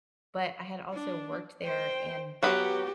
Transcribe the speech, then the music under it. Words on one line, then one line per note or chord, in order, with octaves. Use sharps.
But I had also worked there and
D4
C5 G5
F#3 B3 F#4 G4 B5